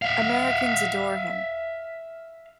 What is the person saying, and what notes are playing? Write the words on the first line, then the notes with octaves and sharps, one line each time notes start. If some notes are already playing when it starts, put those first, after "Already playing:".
Americans adore him.
E5 F5